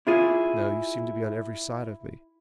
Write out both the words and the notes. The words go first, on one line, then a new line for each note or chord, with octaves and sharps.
"No; you seem to be on every side of me."
E4 F4 G#4